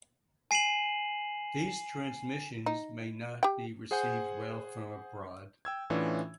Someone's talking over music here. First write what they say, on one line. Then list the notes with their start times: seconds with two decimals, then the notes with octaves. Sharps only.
These transmissions may not be received well from abroad.
0.51 G#5 C7 D#7 E7 F#7
2.66 D#4
3.43 G4 G5
3.91 G#4 C5 F#5 G#5 G6
5.65 G5 E6 G#6
5.90 A2 E3 C#4 D4 F4